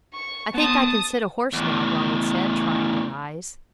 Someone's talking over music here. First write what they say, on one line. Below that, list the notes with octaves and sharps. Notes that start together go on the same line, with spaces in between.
"I think I can sit a horse now," Ronald said, trying to rise.
C#6
B3 A5 C6 D#6
E2 A2